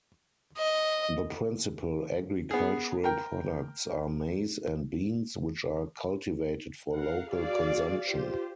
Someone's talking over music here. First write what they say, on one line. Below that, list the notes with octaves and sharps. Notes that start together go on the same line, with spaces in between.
The principal agricultural products are maize and beans, which are cultivated for local consumption.
D#5
B3 G#4
A#4 G5
A#4 F5 F#5
F#4 G#4 D5 F5
F4 G4 C5